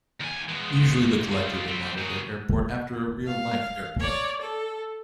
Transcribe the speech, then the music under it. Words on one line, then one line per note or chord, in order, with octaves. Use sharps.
Usually, the collector will model their airport after a real life airport.
D#2 G#5
G#3 B3
G#3 F4
G3 C4
F#3 G#4
F5
C#5 D5
A4